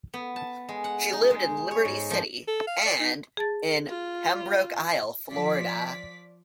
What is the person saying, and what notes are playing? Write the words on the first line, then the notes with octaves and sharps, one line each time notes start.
She lived in Liberty City and in Pembroke Isle, Florida.
B3
A5
G#3
F#5
D#4
G#3
C#5
G#2
F3
A4
F5
D5
D#4
G#4 A5 A6
F4
F3 D5 B6